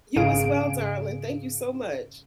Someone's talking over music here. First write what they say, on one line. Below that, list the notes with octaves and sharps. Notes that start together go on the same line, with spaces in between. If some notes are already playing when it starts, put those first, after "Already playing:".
You as well, darling, thank you so much.
G#1 G#2 C#3 G#4 F5 D7